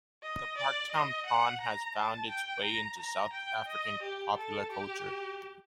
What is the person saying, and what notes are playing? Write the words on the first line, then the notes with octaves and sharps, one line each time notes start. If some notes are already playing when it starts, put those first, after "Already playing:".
The Parktown prawn has found its way into South African popular culture.
D#5
D5
D#5
F#5
A#5
A5
G5
A#5
A#5
G5
D#5
G4
A4
G4